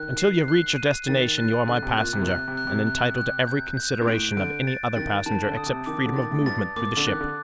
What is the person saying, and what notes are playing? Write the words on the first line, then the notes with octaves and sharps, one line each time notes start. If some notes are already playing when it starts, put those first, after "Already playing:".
Until you reach your destination, you are my passenger and entitled to every consideration of any other passenger except freedom of movement through the ship.
Already playing: D#3 F#6
C7
F#6
D#7
D#3 A6
F#6
D3 F#6
C3
A#2 F#6
C3
A#2
C3 F#6
C3
F#6
C3
F#6
F#6
G6
G6
A#2
A2 D7
D3 D7
A6
D#3 A6
D#3 A5
D3
D#6
C3
D#3 D6
D3
D#3 A6
A2
A2
G2 A6
A#2 D6
D3
D#3 F#6
D3